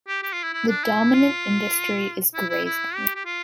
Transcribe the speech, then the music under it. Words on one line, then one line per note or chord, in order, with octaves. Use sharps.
The dominant industry is grazing.
G4
G4
F4
E4
E4
D4
E4
F4
E4
E4
E4
G4
G4
F4